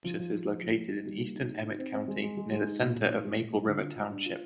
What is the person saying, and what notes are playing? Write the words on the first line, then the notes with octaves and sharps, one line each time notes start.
Brutus is located in eastern Emmet County, near the center of Maple River Township.
F3
F3
F3
F3
F3
F3
D#4
G3
A#3
D#4
D#4
D#4
C4
C4
G#3
G#3
G#3
G#3
D#4
A#2
A#2
D#4
G#3
A#2
G3
D3
F4
G3
D4
F4